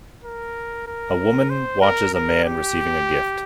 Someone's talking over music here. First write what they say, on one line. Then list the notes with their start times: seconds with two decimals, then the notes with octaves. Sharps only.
A woman watches a man recieving a gift.
0.24 A#4
0.87 A#4
1.50 C5
1.82 A#4
2.14 A#4
2.45 G4